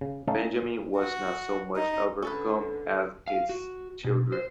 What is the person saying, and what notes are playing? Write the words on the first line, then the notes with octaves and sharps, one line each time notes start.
Benjamin was not so much overcome as his children.
C#3
A3 C#4 D#4 A4 F5
F#4
D#4
D3 C#4 A4 B4
F5
F#4
B2
C5